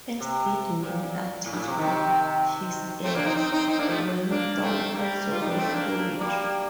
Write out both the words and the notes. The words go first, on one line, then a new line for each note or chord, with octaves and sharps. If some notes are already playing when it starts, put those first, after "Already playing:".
As did many artists of his era, Wen Tong also wrote poetry.
C3
A#2
A2
G2
A2
C3
C3 D#3
A3 C4
A#3 D4
C4 D#4
C4 D#4
C4 D#4
C4 D#4
A#3 D4
F3 A3
A#3 D4
A3 C4
G3 A#3
F4
D#4
D4
A3 C4
A#3 D4
G3 A#3